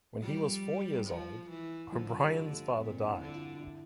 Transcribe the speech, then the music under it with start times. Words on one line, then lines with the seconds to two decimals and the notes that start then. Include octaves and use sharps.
When he was four years old, O'Brien's father died.
0.22 F3 G3
1.07 F3
1.50 E3
1.92 D3 F3
2.13 F3
2.21 G3
2.49 A3
2.77 A#2 C4
3.01 D4
3.06 E4
3.20 D3
3.26 E4
3.34 F4
3.58 D4
3.62 E4